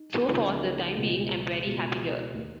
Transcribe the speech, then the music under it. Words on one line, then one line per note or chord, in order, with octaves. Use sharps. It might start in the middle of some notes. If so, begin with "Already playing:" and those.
So for the time being, I'm very happy here.
Already playing: D#4
C#2 C#3 F3 A#3 D#4
C#2 B2 G#3
C#2 B2 G#3
D#2 D#3 A#3